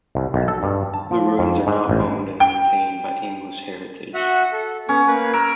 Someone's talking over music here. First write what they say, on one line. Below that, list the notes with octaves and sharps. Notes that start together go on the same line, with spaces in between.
The ruins are now owned and maintained by English Heritage.
C2
B1
A4
G2
A5
F3
F2
G#2
A1
G5
F#4 E5 F#5
A4
B3 C#4
A#3 B4
A#4 E6